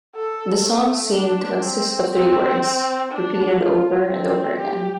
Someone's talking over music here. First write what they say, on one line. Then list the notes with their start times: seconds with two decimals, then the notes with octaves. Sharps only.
The song seemed to consist of three words, repeated over and over again.
0.16 A4
0.65 A3
1.15 D4
1.64 C4
2.13 C4
3.12 D4
3.61 F4
4.11 C4
4.59 G4